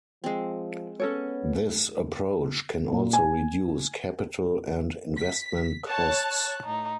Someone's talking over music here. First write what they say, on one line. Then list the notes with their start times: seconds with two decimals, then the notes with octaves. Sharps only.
This approach can also reduce capital and investment costs.
0.24 F3 G#3 C4
1.00 B3 C#4 A4 C#5
2.92 A#2
3.13 G#5
5.17 B6
5.87 C#5 A5 F#6
6.66 A2 D#4